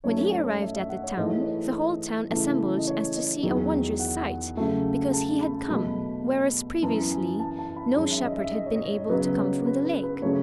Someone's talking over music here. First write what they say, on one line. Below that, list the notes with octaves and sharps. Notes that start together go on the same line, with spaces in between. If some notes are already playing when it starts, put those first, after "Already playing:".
When he arrived at the town, the whole town assembled as to see a wondrous sight because he had come, whereas previously no shepherd had been able to come from the lake.
F#2 D#3 F#3 A3 C#5
C#5
C#5
D#5
E5
E5
F#5
C#5
G#2 E3 A3 D#5
C#5
B4
C#3 E3 A3
D#5
C#5
D#5
E2 D#3 F#3
F#5
C#3 F#3 A3
A5
B5
B2 F#3 A3 B5
F#2 E3 B3 A5
G#5
A5
A5
B5
F#2 D#3 G#3 C#5
E5
D#5
E5
D#5
C#5
D#5
C#5
D#5
C#3 F#3 B3 B4
C#5
B4
B4
B4
C#3 F#3 A3 C#5